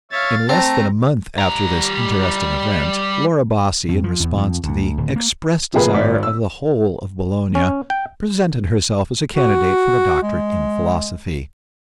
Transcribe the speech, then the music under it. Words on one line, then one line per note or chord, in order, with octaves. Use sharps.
In less than a month after this interesting event Laura Bassi, in response to the expressed desire of the whole of Bologna, presented herself as a candidate for the doctorate in philosophy.
C#5 E5 F5 A6
A3 C4 A5 A#5
G3 A#5
F2
F3
E2
F2
D2
D1
A#3
C3 F3 A#3 G#4 A#4 B4
G#1 D5 B6
E6
C#4
G5
F#4
G#3